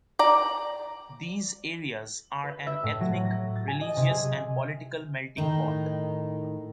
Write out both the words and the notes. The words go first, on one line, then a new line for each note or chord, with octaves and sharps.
These areas are an ethnic, religious and political melting pot.
D5 A#5
B4
E5
A2
F#3
A#6
A6
G#5
D#5
C3
G#4
A2 D#3 D#4